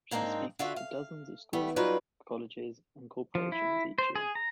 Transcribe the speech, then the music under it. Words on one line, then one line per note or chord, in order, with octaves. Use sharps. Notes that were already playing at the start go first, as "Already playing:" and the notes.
She speaks to dozens of schools, colleges and corporations each year.
G#2 A#3 C4 D4 D#4
D3 F4 F#4 E5
F5
G3 A3 B3 G4
F#3 G3 D#4 F4 B4 D5
F3
E4
C5
G#4
A#5